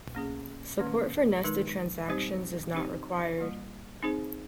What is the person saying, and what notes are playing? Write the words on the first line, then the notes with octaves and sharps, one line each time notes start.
Support for nested transactions is not required.
A#3 C#4 G#4
D#3 A#3 C#4
D#3 G#3 D#4 A#4
G3 C4 D#4 G4 C5
C4 D#4 G4 C5
G3 A#3 F4
C4 D#4 G#4 C5